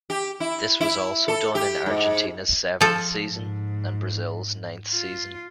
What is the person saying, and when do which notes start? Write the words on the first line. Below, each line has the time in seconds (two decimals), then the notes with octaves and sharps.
This was also done in Argentina's seventh season and Brazil's ninth season.
0.10 G4
0.40 E4
0.81 E4
1.28 A4
1.55 G4
1.86 G#2
2.81 F3 A4
3.28 G#2
4.92 F4